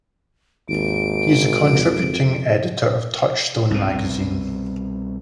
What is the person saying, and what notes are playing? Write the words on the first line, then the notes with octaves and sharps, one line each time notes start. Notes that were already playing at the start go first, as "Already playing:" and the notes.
He is a contributing editor of "Touchstone" magazine.
G#1 D#2 D7
F2
C2 B2